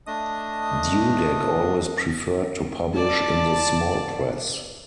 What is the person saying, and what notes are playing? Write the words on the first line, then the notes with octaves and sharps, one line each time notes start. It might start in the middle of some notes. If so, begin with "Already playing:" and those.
Dudek always preferred to publish in the small press.
A3 D4 D#5 D#6
D5 A5